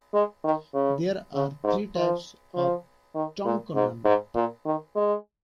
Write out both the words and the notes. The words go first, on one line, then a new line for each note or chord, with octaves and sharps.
There are three types of "tongkonan".
G#3
D#3
C#3
C#3
G#2
F3
F3
D#3
A#2
G#2
G#2
A#2
D#3
G#3